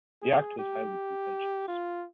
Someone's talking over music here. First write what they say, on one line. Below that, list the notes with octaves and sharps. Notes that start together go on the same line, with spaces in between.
The Act was highly contentious.
G#4
G4
F4